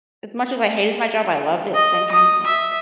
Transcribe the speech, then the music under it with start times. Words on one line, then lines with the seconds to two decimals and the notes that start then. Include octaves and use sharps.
as much as I hated my job, I loved it same time, now.
1.74 D#5
2.11 D#6
2.46 E5